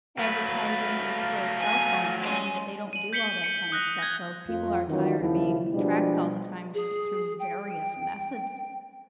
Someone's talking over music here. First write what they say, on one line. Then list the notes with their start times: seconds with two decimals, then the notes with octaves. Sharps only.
advertising it was for a cell phone saying that they don't do all that kinda stuff. So if people are tired of being tracked all the time th through various methods
0.19 F#3 A3 B4 F5 A#5
1.59 G#5
2.21 G#3 C#4
2.93 D#7 F#7
3.13 G6 B6 C#7 F#7 G7
3.44 C#7
3.72 D#6 F#6 A#6
3.98 G#6 A#6
4.49 F2 F4
4.88 D#3 E3 F#3 C#4 D#4 F4
5.19 D#2 C#3 F3 E4
5.73 B2 F3 G3 G#3 D4
6.74 G#4
7.40 G5